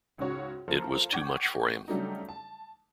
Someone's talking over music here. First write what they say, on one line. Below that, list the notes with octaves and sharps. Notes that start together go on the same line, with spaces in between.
It was too much for him.
C#2 G#2 C#4 F#4 C#5
F3 A#3 A4 A#4 C5
F#5 G5 C#6 D6 G6 G#6
C#3 F#3 G3 A3 D4 D#4
A5